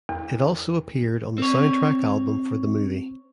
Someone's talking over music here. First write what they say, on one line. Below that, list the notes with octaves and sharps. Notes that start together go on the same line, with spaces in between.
It also appeared on the soundtrack album for the movie.
E2
C4 C#5